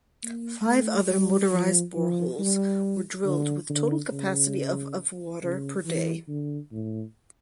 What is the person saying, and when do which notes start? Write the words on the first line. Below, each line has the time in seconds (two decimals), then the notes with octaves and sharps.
Five other "motorised boreholes" were drilled with total capacity of of water per day.
0.24 A#3
0.66 A3
1.10 G3
1.53 F3
1.96 F3
2.39 G3
3.25 D3
3.69 D3
4.12 C#3
5.43 C#3
5.85 E3
6.28 D3
6.72 A2